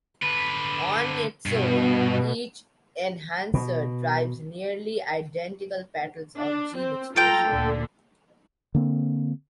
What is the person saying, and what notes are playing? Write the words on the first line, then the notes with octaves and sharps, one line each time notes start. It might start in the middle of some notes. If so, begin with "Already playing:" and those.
On its own, each enhancer drives nearly identical patterns of gene expression.
D3 B4
G2 B2
B2
D4
C4
F4 A4 G5 A#5
D2 A#2 D3
D3 A#3 C4